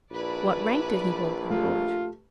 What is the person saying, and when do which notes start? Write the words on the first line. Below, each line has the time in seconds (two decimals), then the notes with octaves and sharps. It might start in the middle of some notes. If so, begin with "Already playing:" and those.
"What rank did he hold on board?"
0.12 A#1 E4 B4 D5
1.50 A3 F4 G4